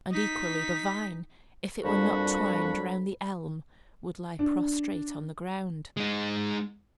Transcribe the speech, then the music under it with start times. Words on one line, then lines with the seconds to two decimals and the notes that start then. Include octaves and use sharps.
And equally the vine, if it were not twined round the elm, would lie prostrate on the ground.
0.12 D#4 B6
1.84 F2 A#2 G3 D4 F#4 B5
4.39 D4
5.97 G#3 D#4